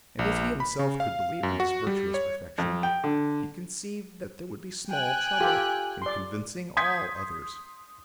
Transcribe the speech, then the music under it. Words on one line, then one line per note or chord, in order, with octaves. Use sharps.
And if he himself could believe in his virtuous perfection, he conceived that there would be small trouble in convincing all others.
A#1
B5
C#3
F5
F#2
F#4
G3
C#5
F2
G5
D3
G5 G#5 F#6
F4 G4 A4
D5 C6
C6 D#6 G6 G#6 B6